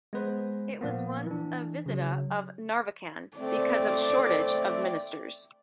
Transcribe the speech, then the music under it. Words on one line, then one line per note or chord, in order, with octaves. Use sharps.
It was once a "visita" of Narvacan because of a shortage of ministers.
G#3 B3 B4 C5
A#2 F3 A#3 B3
E3 D4
C#3 F#3
A3 C4 D5